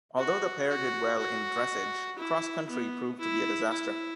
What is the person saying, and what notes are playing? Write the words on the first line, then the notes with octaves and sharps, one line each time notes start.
Although the pair did well in dressage, cross country proved to be a disaster.
F#4
F#4
F#4
E4
B3
E4
E4